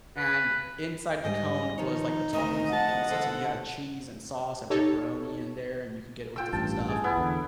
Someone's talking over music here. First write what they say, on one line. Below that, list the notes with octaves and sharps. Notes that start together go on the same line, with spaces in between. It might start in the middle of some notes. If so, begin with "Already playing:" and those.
and inside the cone was, like, the toppings of pizza, so you had cheese and sauce and pepperoni in there, and you can get it with different stuff,
B4
G#2 G3 D#5 G#5
D#3 F3 D#4 C#5
D2 C3 D#3 D#5
F3 A3 F#5 A5
D3 A4 C5
D#4 G4 A4 C#5
F4 G5 E6
A1 G2 A5
G#4
B3 E4
E2 D3